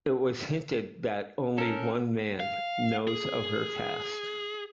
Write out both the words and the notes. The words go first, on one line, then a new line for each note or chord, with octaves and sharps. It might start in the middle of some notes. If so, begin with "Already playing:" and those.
It was hinted that 'only one man' knows of her past.
C#4 D#4 A4 A#4
F5
G#4